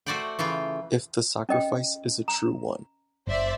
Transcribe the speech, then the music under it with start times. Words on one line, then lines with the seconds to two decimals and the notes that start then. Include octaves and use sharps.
If the sacrifice is a true one.
0.06 A3 F#4 C5 D5 F#5 G5
0.39 C#3 E3 F4 G5
1.49 C#4 D#5 G5
2.28 A#5
3.27 F#1 C5 D5 E5